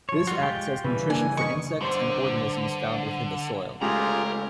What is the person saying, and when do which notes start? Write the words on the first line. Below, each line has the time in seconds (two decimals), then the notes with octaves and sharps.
This acts as nutrition for insects and organisms found within the soil.
0.09 F3 C#5
0.27 G3 F4 F#4
0.40 G#3 G4 G5
0.84 C#3 E3 G3 B4
1.10 A#3 D4 G#5
1.37 D#5 C#6
1.81 G2 D3 C5
3.82 C#3 G#3 A3 F4 G4 G#4 B4 A#5